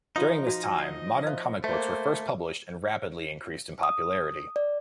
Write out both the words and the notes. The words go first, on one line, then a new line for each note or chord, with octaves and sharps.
During this time, modern comic books were first published and rapidly increased in popularity.
F3 D#4 F4 F5 D#6
F#4
D#5 F#5
C5 E5 F5
A3 A#3 C5 E5
D#6
D5